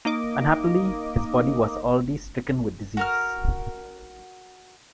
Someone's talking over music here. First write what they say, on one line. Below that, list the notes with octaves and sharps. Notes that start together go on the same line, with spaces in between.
Unhappily, his body was already stricken with disease.
A#3 D#4 D#5 D6
F#4 A#4 F6